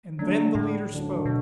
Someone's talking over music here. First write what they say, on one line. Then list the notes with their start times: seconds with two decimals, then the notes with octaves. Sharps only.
And then the leader spoke.
0.19 D3 F#3 A3 D4
0.55 A2
0.89 D2 D3 F#3 D4
1.25 B2